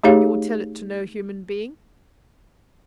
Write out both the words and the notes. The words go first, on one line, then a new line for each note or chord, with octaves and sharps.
"You will tell it to no human being?"
A3 D#4 G4 G#4 C#5 F5